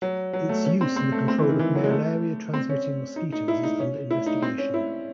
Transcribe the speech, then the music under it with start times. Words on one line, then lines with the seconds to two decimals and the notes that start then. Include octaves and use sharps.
Its use in the control of malaria-transmitting mosquitos is under investigation.
0.02 F#3
0.33 F#3
0.49 A3
0.66 C#4
0.81 C4
0.96 C4
1.12 A3
1.28 C4
1.38 E3
1.49 D#3
1.59 E3
1.75 F#3
1.84 G#3
1.91 A3
2.54 C4
2.69 C#4
3.16 D#4
3.32 D#4
3.48 E4
3.63 D#4
3.80 C#4
4.11 E4
4.26 D#4
4.42 C4
4.58 C#4
4.74 E4